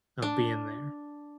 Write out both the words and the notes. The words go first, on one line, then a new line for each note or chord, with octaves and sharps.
of being there.
D4